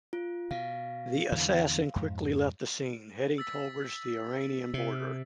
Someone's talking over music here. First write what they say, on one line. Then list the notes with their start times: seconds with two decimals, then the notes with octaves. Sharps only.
The assassin quickly left the scene, heading towards the Iranian border.
0.13 F4
0.51 B2 F5
1.32 E2 D3 E3
1.96 F2 G#2
3.38 E6 A6 B6
4.74 C3